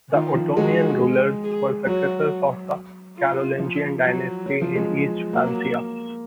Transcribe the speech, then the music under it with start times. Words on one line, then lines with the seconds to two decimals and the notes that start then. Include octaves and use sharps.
The Ottonian rulers were successors of the Carolingian dynasty in East Francia.
0.13 D#3 F4
0.35 F3
0.57 G#3 F#4
1.00 G#3
1.43 G#4
1.86 F#3 F#4
3.16 F4
3.59 F3
4.03 F#3
4.46 F#3
4.62 F3
4.75 G#3
5.33 F#3 A#3